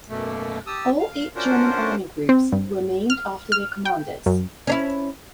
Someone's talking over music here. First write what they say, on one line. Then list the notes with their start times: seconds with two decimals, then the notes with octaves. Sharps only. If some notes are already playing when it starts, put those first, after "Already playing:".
All eight German army groups were named after their commanders.
0.10 F#2 B2 A3 A#3
0.67 G4 A5 D#6 E6
0.99 F5
1.36 C#4 D4 F4 F#4 A#4 C5
2.29 C4
2.52 G2
3.10 F6
3.52 F6
3.85 G5
4.26 F#2
4.67 C#4 D4 E4